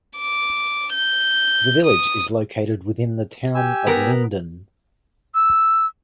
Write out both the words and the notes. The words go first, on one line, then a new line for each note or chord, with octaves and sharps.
The village is located within the Town of Linden.
D6
G6
D#6
G4 G#5 E6
B3 A#4
E6